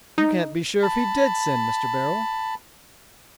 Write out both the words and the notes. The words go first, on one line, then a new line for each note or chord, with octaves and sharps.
"You can't be sure if he did sin, Mr. Beryl."
D#4
A5 B5